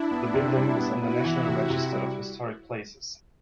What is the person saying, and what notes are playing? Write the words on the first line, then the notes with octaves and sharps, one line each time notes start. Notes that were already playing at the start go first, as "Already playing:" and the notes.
The building is on the National Register of Historic Places.
Already playing: D4 E4
B3
C3
G3
B3
B3 E4 F#4
E3
C3
C3
G3